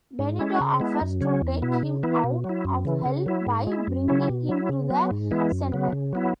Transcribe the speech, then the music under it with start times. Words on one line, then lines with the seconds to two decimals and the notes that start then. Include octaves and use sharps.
Benito offers to take him out of Hell by bringing him to the center.
0.19 G#2
0.39 G#3 C#4 E4
0.60 C#3
0.80 G#3 B3 E4
1.01 F#2
1.21 C#3 F#3 C#4
1.41 E2
1.62 B2 B3 E4
1.83 C#3
2.03 E3 B3 E4
2.24 B2
2.44 F#3
2.49 E4
2.65 F#2
2.85 C#3 E3
3.06 C#3
3.26 F#3 E4
3.47 G#2
3.67 G#3 E4
3.87 F#2
4.08 C#3 F#3 C#4 E4
4.29 B2
4.49 F#3 E4
4.69 C#3
4.90 F#3 B3
5.11 G#2
5.31 E3 G#3 B3 E4
5.51 F#2
5.72 C#3 F#3 B3
5.92 C#3
6.13 F#3 B3 E4